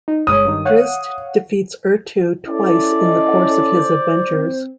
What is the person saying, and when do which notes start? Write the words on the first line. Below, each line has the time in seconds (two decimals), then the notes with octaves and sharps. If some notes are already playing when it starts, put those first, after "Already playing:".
Drizzt defeats Errtu twice in the course of his adventures.
0.08 D#4
0.27 G1 G#3 C#5 D#6
0.45 G2 D#3
0.65 C#5 F5 F#5
2.47 C#4 E4 A4 D5
2.97 D#5
3.71 C5
4.30 C4